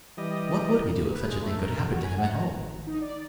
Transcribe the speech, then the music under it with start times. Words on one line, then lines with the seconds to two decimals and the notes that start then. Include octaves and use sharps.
What would he do if such a thing could happen to him at home?
0.18 E3 G3 D#5
1.11 B4
1.26 G#3
1.41 A3
1.57 A#4
1.77 F2
1.91 F#4
2.04 G#5
2.18 F#5
2.32 A#5
2.54 G#1
2.87 D#4
3.01 D5